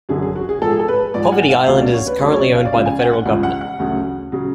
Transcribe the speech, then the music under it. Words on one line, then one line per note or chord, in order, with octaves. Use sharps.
Poverty Island is currently owned by the federal government.
F#2 D3 F#3 G#4
G#4
F#4
G#4
G#2 F3 A4
G#4
A4
B4
G#2 F3 D5
G#5
F#5
F5
D2 C#3 F#3 F5
D5
C#5
B4
D2 C#3 F#3 C#5
C#5
D5
F5
D5
C#2 C#3 F3 F5
G#5
F#5
F#5
C#2 C#3 F3 F#5
F#5
F#5
D2 C#3 F#3
C#3 F#3